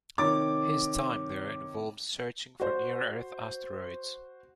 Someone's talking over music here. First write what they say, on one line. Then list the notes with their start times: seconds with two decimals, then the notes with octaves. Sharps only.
His time there involved searching for Near Earth Asteroids.
0.18 C3 D#3 C#5 D6 A6
2.60 F#4 C5